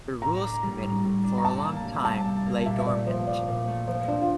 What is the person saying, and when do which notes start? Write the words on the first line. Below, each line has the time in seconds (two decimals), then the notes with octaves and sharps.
The Rules Committee, for a long time, lay dormant.
0.22 A2 A#5
0.43 D4
0.63 G3
0.83 A2
1.04 A2
1.24 D4
1.38 A#5
1.44 C3 A5
1.64 A#3
1.85 G3
2.05 C3 A5
2.25 C3
2.46 A#3
2.66 A#2 E5
2.80 E5
2.86 A3 D5
3.06 F3 C5
3.27 A#2 D5
3.47 A#2
3.68 A3
3.87 F3 C5
4.08 C4 D4
4.22 F4